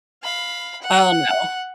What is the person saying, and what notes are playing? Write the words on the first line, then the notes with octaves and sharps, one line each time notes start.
Oh, no.
F5 B5
F#5